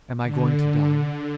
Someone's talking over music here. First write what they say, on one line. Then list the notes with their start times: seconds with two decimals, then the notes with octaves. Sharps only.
Am I going to die?
0.22 D3